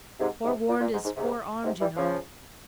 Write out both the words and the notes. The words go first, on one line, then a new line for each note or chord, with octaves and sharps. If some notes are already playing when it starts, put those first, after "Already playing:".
Forewarned is forearmed, you know.
G#2 C3
G#2 C3
A#2
A#2
G#2
G#2
G#2 C3
G#2 C3
E3 G3
C#3 F3